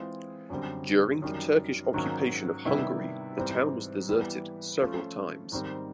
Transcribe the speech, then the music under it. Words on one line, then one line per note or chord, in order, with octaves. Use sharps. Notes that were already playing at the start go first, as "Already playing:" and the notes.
During the Turkish occupation of Hungary the town was deserted several times.
Already playing: E3 G#3 C4 F4 G#4
F#2 D3 G3 C4
F#2 D#3 G3
G#2 D#3 F#3 A#3 C#4
C3 D#3 G3 B3 E4
G#2 E3 G3 C4
E3 G3 B3
F3 A3 C#4 F4
G#2 D#3 G3 C4